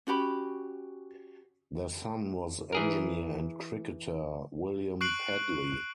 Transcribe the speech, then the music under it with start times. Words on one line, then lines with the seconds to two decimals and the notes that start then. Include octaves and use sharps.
Their son was engineer and cricketer William Pedley.
0.07 C#4 F#4 G4 B5
2.73 E3 G#4 A#4
5.01 C#6 F#6 C7 D7 F#7